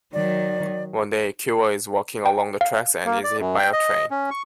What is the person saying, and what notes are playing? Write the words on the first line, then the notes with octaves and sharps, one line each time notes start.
One day Ikuo is walking along the tracks and is hit by a train.
D#3 F#3 D5
C7
G5
F5
A#3
D5
F#2
G5
D#5
C#4
C#6